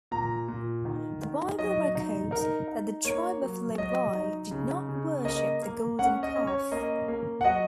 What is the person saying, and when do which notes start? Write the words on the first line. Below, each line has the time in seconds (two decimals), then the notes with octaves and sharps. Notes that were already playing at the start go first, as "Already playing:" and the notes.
The Bible records that the tribe of Levi did not worship the golden calf.
0.11 A#2 A#5
0.48 A#2
0.85 D#3
1.22 D#3
1.59 F#3 D#5
1.95 D#4
2.31 D#4 A#4
2.68 D#4
3.05 A#3 C#5
3.41 F#3
3.78 F#3 D#5
4.15 D#4
4.51 C#3
4.89 C#3
5.25 A#3 D#5
5.62 A#3
5.99 C#4 F#5
6.23 D#5
6.36 C#4
6.47 C#5
6.71 A#3 D#5
7.08 A#3
7.41 F#5
7.45 F#3 D#5